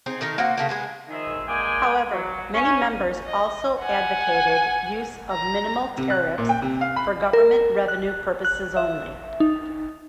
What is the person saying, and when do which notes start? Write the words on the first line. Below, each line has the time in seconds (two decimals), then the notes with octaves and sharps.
However, many members also advocated use of minimal tariffs for government revenue purposes only.
0.06 C4 D#4 G#4
0.21 D#3 A3 D#4 A#4
0.38 A#3 F#4 C5 D#5
0.58 C#3 A3 A#3
0.69 G#3 B3 G#4
1.10 D#3 F3 G#3 G#4 E5
1.47 G#3 A#3 D5 G5 G#5
2.11 F#3
2.53 C#4
3.26 D#5
3.80 F#5 G#5
5.32 A#5
5.98 C3
6.10 F#6
6.38 A#2
6.49 G5
6.62 C3
6.81 F5
6.96 B5
7.33 A#4
7.88 F#6
8.45 F#6
8.77 E5
9.40 D#4